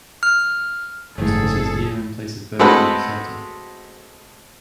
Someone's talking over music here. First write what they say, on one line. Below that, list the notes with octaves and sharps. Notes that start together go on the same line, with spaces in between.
Crispus' year and place of birth are uncertain.
F6
F#1 D#2 G#2 A3 G#4 A4
G#3 A3 C4 F#4 A4 B4